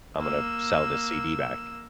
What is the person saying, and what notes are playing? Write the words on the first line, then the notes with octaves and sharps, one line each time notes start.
"I'm gonna b sell this CD back."
A#3 E6